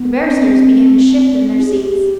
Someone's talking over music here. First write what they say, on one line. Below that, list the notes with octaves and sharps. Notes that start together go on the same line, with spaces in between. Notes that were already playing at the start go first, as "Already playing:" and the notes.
The barristers began to shift in their seats.
Already playing: B3
D4
C4
G#4
G4